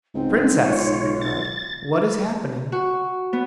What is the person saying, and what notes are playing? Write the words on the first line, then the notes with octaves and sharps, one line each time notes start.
"Princess!" I cried, "what is happening?"
C#2 G#2 C4
B1 F4 C#5
A6
F#4
B3